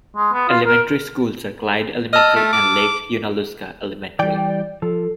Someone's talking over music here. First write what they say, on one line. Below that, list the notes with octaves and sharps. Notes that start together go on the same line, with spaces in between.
Elementary Schools are Clyde Elementary and Lake Junaluska Elementary.
G#3
B3
F4
A#4
D#5 A5 E6 F6
A3
D6
E3 G3 D5 G5
F3 A4